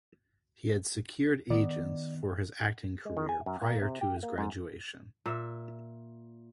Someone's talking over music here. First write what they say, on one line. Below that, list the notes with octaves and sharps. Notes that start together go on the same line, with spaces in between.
He had secured agents for his acting career prior to his graduation.
D#3 B3 D5
G#3
D#3
G#5
F#2
A#3
C3
G4
A#3
G#2
A#2 E5